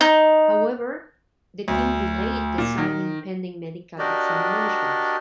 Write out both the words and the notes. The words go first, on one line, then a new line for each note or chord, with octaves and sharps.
However, the team delayed the signing pending medical examinations.
D#4
D2
A#2
D#3
D4 F#4 G4 A#4 D5 D#5